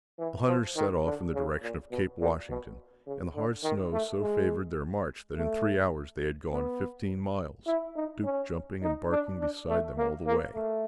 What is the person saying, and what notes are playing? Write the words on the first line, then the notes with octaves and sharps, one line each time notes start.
The hunters set off in the direction of Cape Washington, and the hard snow so favoured their march, that in three hours they had gone fifteen miles, Duk jumping and barking beside them all the way.
E3
F3
D#3
D3
C#3
A#2
B2
A#2
B2
C#3
D3
D#3
A3
G#3
A3
B3
E4
D#4
C#4
D#4
D4
D4
A3
A#3
A#3
A3